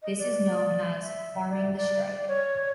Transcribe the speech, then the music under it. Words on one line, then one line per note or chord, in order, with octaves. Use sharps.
This is known as "farming the strike".
D#5
D5
E5
D5
D5
C#5